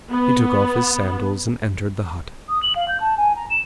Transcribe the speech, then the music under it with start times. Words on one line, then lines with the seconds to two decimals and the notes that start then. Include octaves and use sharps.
He took off his sandals and entered the hut.
0.10 B3
2.49 D#6
2.62 F#7
2.75 F5
2.88 G6
3.00 A5
3.17 G#5
3.36 A#5
3.50 E7